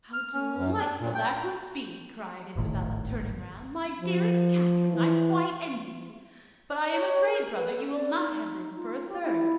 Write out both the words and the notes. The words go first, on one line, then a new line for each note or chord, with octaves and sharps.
"How delightful that will be!" cried Isabella, turning round; "my dearest Catherine, I quite envy you; but I am afraid, brother, you will not have room for a third."
F6
C#4
F#2
D4
A#2
G5
D#1 G#1 A2 D#3
F3
E3
C#5
A#4
B4
A4
D5
D#4
D#4
F4
G4
E4